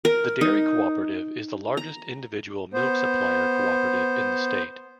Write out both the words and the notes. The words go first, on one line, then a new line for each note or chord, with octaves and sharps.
The dairy cooperative is the largest individual milk supplier cooperative in the state.
A#4
D#4
A#5
B3 C5